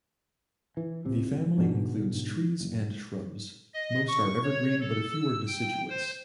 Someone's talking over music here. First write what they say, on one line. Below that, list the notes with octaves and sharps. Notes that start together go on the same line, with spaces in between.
The family includes trees and shrubs; most are evergreen but a few are deciduous.
E3
C#2 C3
G#2 B2 D3
F#1
D#5
C#6
C#5
A4
E6
G5
C5